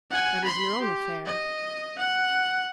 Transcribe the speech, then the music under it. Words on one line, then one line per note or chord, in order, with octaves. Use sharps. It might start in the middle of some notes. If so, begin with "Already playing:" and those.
"That is your own affair."
F#5 G#5
B5 C6
G4
D#5
F#5